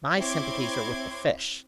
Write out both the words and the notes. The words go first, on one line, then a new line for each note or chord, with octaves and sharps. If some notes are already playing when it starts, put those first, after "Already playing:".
"My sympathies are with the fish."
C4 E4 C#5 C6 D6 G#6